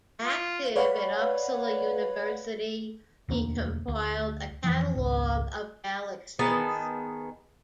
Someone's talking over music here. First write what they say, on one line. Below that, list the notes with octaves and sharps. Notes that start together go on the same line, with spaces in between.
Active at Uppsala University, he compiled a catalogue of galaxies.
F4
B4 C#5 D5 F5 F#5 B5
E1 D2 D3 A#3
D2
F2 E3 F3
G#1 C#2
D#3 B3 G#4 A5